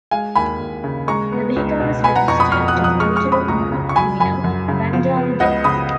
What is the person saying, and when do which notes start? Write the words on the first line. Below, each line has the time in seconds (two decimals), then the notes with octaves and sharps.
The vehicle was registered to the daughter of known criminal, Bandali Debs.
0.11 G#3 F5 G#5
0.36 D#2 G#5 B5
0.60 D#2
0.84 C#3
1.08 G#3 A#5 C#6
1.32 B3
1.56 C#2
1.80 B2
2.04 B3 G#5 B5
2.15 F#5 A#5
2.28 F2 A#5 C#6
2.40 B5 D#6
2.52 F2 C#6 F6
2.68 D#6 F#6
2.76 F3
2.84 D#6 F#6
3.00 G#3 C#6 F6
3.16 C#6 F6
3.24 C#4
3.32 B5 D#6
3.48 C#2 A#5 C#6
3.72 C#3
3.89 C#6
3.96 F#3 G#5 B5
4.20 F#2 G#5 B5
4.44 F#2
4.68 C#3
4.93 F3
5.16 B3
5.40 C#2 D#5 F#5
5.64 C#3 B5 D#6